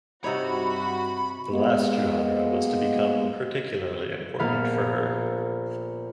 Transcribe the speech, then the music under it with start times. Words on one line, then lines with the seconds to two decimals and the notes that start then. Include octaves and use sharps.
The last genre was to become particularly important for her.
0.24 G2 C3 D#4 F#4 C#5 B5
1.49 G#3 A#3 B3
4.39 A#1 A#3 B3 A4 F5 B5